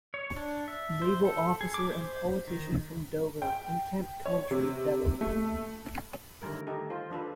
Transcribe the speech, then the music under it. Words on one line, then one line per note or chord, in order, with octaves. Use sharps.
Naval officer and politician from Dover, in Kent County, Delaware.
C#5
D4
E5
C5
A4
G#4
D6
C5
D#3
G5
C#5
C3
A3
D3 D#3 G3 A3 A#4
A3 D#4 G4 A4
F4 C5
F3 D4 A4 B4